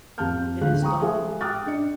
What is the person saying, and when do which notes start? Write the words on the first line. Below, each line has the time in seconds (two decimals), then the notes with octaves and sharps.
It is done.
0.18 F2 G4 F5 A5 F6 G6
0.61 D2 G#3 A3 F5 F#6
0.82 G5 A#5 C#6 D#6
1.01 G#3 G4 A4 E5 F5 G#5
1.41 G5 D6 D#6 F6 F#6 A6
1.66 D4 D#5 C#7